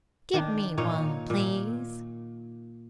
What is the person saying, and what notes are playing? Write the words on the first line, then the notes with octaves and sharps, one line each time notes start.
"Give me one, please."
D#3 D4
A#2 D#4 C#5
A#2